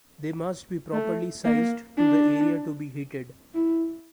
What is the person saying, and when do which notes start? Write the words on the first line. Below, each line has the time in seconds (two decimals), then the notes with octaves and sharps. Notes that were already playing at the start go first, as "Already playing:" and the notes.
They must be properly sized to the area to be heated.
0.93 A3
1.45 A#3
1.97 D4
3.54 E4